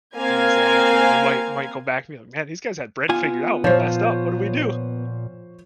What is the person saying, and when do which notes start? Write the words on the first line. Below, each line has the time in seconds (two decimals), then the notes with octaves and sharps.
Exactly, we might might go back and be, like, man, these guys had bread figured out. We messed up. What do we do?
0.16 A#3 C4 F5 G#5 G#6
3.09 B3 F4 G#5
3.64 A#2 F3 C5 C#5